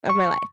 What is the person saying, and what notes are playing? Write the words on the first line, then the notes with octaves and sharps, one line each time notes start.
of my life."
C#6